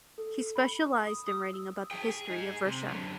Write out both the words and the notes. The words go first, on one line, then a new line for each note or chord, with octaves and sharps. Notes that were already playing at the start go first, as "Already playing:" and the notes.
He specialized in writing about the history of Russia.
A4
B5
D#6
D#6
E6
G#4 G5
G#4
D#4 G#4
C3
F#2 D3